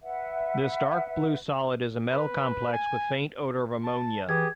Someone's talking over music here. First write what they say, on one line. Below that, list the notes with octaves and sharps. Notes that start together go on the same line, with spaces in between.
This dark blue solid is a metal complex with faint odor of ammonia.
B4 E5 F#5
B4
G#5
A5
E3 G4 G#4 G#6